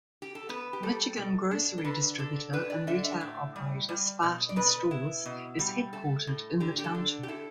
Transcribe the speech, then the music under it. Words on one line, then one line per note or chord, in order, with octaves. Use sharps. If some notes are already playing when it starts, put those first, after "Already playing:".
Michigan grocery distributor and retail operator Spartan Stores is headquartered in the township.
G4
A4
B3 B4
G4
G3 A4
B2
D4
A4
D3 B4
D3 A4
D4 B4
D5
D3 E5
E5
A2
G3
G3
B2
D5
B2 B4
E4
B2
G3
A3 A4
A2
D3 G4
G4
A4
D3
G4
E4 A4